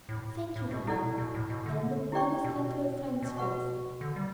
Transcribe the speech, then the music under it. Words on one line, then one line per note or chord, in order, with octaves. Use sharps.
"Thank you, Diana." Anne looked earnestly into her friend's face.
A2
A2
B2
B2 E4 A4 D5 F#5
B2
A2
B2
D3
E4 G4 D5 G5 C#6
B2
B2
F#4 B4 F#5 C#6
D3
G3